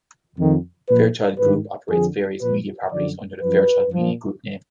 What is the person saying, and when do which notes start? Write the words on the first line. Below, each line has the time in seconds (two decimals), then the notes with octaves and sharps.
Fairchild Group operates various media properties under the Fairchild Media Group name.
0.38 F2 D#3
0.90 A#2 F3 B4
1.39 G#2 D#3 B4
1.90 F2 D3 F3 G#4
2.41 A#2 F3 B4
2.92 F#2 D3 F3 D5
3.42 F#2 F3 B4
3.93 A#2 F3